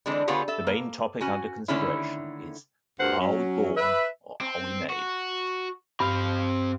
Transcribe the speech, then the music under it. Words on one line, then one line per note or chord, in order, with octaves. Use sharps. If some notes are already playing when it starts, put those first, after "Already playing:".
The main topic under consideration is: "Are we born or are we made?".
D3 E3 G#3 C4 D4
D3 B3 F4 G4 G#4 C#5
A4 E5
A#3
C#4 F#4 G#5
D3 D#3 A3 C#4 E4
D2 G2 D3 A#4 C5 F#5
F#3 C#4
B4 E5
C4
F#4
G2 C4 F5